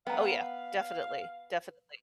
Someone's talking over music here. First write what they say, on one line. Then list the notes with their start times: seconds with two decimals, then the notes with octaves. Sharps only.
Oh, yeah. Definitely. Definitely.
0.07 B3 F5 G5 A#5